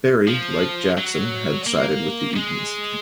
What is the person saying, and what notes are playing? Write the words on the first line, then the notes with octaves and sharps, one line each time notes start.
Barry, like Jackson, had sided with the Eatons.
F3
F#3
A#3
G#3